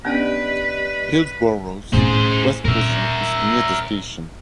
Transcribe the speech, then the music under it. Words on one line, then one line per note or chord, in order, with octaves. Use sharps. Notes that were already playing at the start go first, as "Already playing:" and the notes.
Hillsboro's West Precinct is near the station.
B3 C#4 D4 G4 B4 D5 D#5
A2 C#4 G#4 C5
A#2 A#4 E5